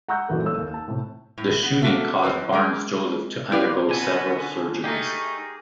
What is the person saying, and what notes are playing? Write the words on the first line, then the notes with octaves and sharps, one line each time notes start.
The shooting caused Barnes-Joseph to undergo several surgeries.
F#5 A#5 C#6 E6 F#6 G6
A#1 F#2 D#3 E3 A4 A#4
F#1 A#3 A4 C#5 E6
D#2
A5
A2 C3
A2
B3
A#3 B3 F#4 A4 E5
F#2 D#3 C4 B4
G#3 G#4 A#4
E4 F4 G4 B4 D5 F5
B2 D3 B3 G#5
A3 D#4 G4 G#4 A#4